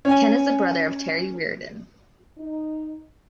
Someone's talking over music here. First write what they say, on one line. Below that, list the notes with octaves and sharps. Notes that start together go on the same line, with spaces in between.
Ken is the brother of Terry Reardon.
C#4 G#5
D#4